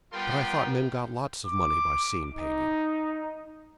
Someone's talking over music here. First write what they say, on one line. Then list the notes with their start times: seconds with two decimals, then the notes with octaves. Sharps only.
"But I thought men got lots of money by scene-painting?"
0.13 G3 B3 F4 A#4 G5 C6
1.46 D6
2.31 D#4